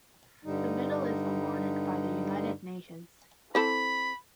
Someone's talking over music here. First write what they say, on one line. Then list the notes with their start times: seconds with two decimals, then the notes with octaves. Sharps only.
The medal is awarded by the United Nations.
0.45 G2 D3 G3 D#4
3.55 E3 C4 A4 B5